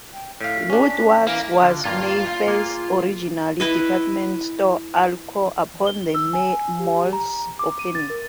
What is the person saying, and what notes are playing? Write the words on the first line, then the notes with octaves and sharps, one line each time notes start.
Woodward's was Mayfair's original department store anchor upon the mall's opening.
G5
A2 F5 B6
C#4 D4
E3 A#3
D3 F4
G2 A#3 F4 F5
A#3 G#4
E4 B4 D#5
G7
E6
G#5
G4
A#5
D6
D#7
A6
A#4